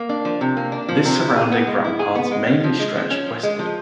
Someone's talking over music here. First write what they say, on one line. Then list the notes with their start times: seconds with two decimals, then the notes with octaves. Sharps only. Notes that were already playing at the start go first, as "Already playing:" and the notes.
This surrounding rampart mainly stretched westward.
Already playing: A#3
0.09 D4
0.25 F3
0.41 C3
0.57 A#3
0.72 D4
0.88 F3
1.05 C3
1.20 E4
1.36 G#4
1.52 B3
1.67 G#3
1.84 E4
1.99 G#4
2.15 B3
2.31 G#3
2.47 C#4
2.64 F3
2.79 G#3
2.96 F3
3.10 C#4
3.26 F3
3.43 G#3
3.59 F3